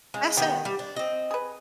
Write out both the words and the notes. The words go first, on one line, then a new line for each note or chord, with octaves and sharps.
That's it.
C#3 G#3
D#3 B3 G4 G5
G3
D4
C4 D#5
G#4 B4